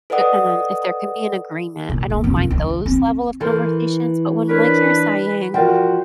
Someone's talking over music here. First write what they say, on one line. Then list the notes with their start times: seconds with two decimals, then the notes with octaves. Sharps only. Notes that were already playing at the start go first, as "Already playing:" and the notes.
a and then if there can be an agreement, I don't mind those level of conversations, but when, like you're saying,
0.10 A4 B4 D5 D#5 F#5 D#6
1.89 A#2
2.10 A#3
2.24 F2
2.36 F#2
2.51 D2
2.86 C4
3.41 E3 A4 A#4 C5
4.49 D4 A#4 B4 C#5
5.54 F3 F#4 A#4 D5 G5